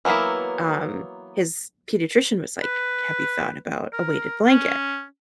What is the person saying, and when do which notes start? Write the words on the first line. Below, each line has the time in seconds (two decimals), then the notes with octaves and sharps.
um, his pediatrician was like, "Have you thought about a weighted blanket?"
0.05 E3 F#3 A#3 B3 E4
2.63 B4
3.93 A#4
4.47 C#4